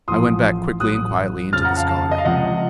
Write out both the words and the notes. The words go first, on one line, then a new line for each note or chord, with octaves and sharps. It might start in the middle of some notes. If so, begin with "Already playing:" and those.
I went back quickly and quietly into the scullery.
A1 A2 F3 C6 D#6
A1 A2 F#3 D#6 F#6
F2 C#3 F3 F6 A6
F#5 A#5
F5 A5
F5 A5
D#5
F5
C#2 C3 F3 D#5 F#5